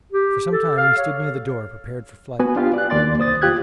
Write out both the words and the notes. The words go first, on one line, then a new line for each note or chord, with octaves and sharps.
For some time we stood near the door, prepared for flight.
G4
A4
F5
C#5
B3 F#4 B4 G#5
D4 F4 G4 F5
D5 F#6
D#2 A#3 D5 C6 A6
C2 C5 D#6 A6
E2 F4 G4 F#6 G#6